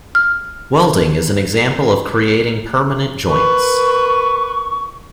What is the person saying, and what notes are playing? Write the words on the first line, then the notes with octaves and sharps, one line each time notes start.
Welding is an example of creating permanent joints.
F6
A#4 B4 C#6